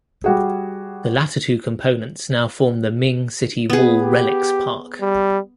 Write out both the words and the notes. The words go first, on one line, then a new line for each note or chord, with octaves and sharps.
The latter two components now form the Ming City Wall Relics Park.
G3 F#4 G#4
B3 G#4
G4
G3